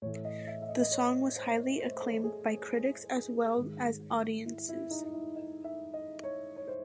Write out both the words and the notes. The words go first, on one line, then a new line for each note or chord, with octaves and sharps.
The song was highly acclaimed by critics as well as audiences.
A2 E3 A3 C#5
D#5
E5
E5
D#5
D#5
C#5
C5
C5
C5
A4
G#4
G#2 D#3 G#3
E4
E4
D#4
D#4
E4
D#5
E5
D#5
C#5
C#5
C5